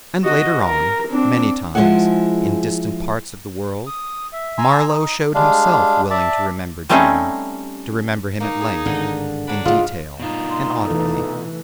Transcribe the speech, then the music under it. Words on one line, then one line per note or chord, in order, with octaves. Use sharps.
And later on, many times, in distant parts of the world, Marlow showed himself willing to remember Jim, to remember him at length, in detail and audibly.
F#4 D#5
A#4
C4 D4
F3 G#3 A#3 E4 G#4 F#5
D#6
E5
G#5 A#5 C6 E6
D#4
G3 G#3 D4 F5
D5 E5 A5
G3 A3 C4 C#4 D#4 G#4
A#3 D#4
G#4
G#1 A2 D3
F#3 D4 B5
F#1 G#2 F4
G2 B2 D#4 F4
C6
C3 E3 A3 A4